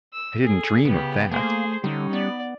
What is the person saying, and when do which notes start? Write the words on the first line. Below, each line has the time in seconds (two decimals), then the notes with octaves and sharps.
I didn't dream of that.
0.13 E6
0.45 G#4 A4
0.85 C#3 B3 G4 B5
1.31 A3 A#3 G#4 C5
1.84 D3 G3 C#4 D#4 C#5
2.13 B3 D5